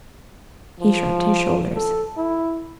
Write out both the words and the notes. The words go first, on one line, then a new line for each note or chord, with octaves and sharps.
He shrugged his shoulders.
F3
A4
E4